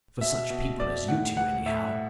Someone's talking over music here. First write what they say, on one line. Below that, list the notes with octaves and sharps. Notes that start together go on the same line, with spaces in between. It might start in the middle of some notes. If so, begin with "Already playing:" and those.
For such people as you two anyhow.
B2 E5
B2
B2 D5
A2 F#5
E3 F#5
A2 E5